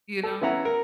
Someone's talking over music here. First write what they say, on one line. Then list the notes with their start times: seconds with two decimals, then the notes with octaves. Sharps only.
You know?
0.23 A4
0.41 B3 C#4 E4 F#5 A#5
0.65 A#4